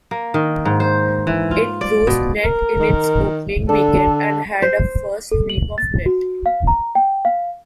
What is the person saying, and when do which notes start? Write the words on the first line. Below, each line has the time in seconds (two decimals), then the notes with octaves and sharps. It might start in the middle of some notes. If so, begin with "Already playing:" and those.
It grossed nett in its opening weekend, and had a first week of nett.
0.11 A#3
0.34 D#3
0.65 G#2
0.80 C5
1.27 E3
1.51 F4
1.81 D5
2.07 B2
2.44 A#4
2.80 D#3
3.69 D3 D4 A4
4.62 C5
5.31 A4
5.50 F#7
5.78 A6
6.06 F#4
6.46 F5
6.67 A#5
6.95 G5
7.25 F5